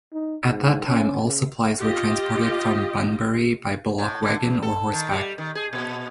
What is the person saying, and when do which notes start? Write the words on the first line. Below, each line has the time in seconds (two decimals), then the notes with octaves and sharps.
At that time all supplies were transported from Bunbury by bullock wagon, or horseback.
0.13 D#4
0.46 G#2
0.87 C#4
1.22 C#3
1.78 F4 G4 D#5
3.98 A2
4.23 D3
4.43 E2
4.62 A4
4.93 D#3
5.11 G3
5.38 D#3
5.55 G#4
5.73 A#2